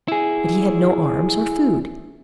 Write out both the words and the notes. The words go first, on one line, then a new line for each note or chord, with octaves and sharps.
But he had no arms or food.
E4 G#4